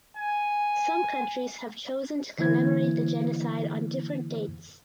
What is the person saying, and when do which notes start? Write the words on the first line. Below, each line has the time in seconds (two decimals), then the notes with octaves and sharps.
Some countries have chosen to commemorate the genocide on different dates.
0.17 G#5
2.38 D3 E3 A#3 E4 C5 G#6